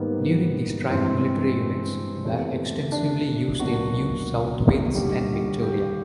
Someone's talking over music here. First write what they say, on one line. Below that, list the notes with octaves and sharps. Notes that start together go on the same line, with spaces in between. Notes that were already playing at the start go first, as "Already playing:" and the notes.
During the strike military units were extensively used in New South Wales and Victoria.
Already playing: G#2 D#3 G3 A#3 B3
G2 E3 G#3 C4
E2 C3 E3 A3
D4
C#2 B2 F#3 A#3 F#4
D#2 D3 G3
G4